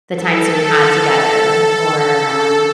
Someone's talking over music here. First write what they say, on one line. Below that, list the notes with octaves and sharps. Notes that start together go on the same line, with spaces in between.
the times that we had together or, um,
A4
A4
A4